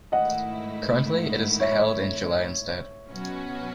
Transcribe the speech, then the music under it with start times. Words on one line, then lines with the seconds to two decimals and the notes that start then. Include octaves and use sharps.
Currently, it is held in July instead.
0.11 G#2 D#3 A3 E4 D#5 F#5
1.60 C#5 E5
3.09 B2 F#3 C#4 F#4 B4